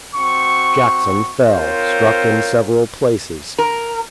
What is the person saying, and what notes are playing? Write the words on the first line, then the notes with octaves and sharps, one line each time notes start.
Jackson fell, struck in several places.
C4 F#4 C#6
C4 F4 A#4 C5 C#5
A#4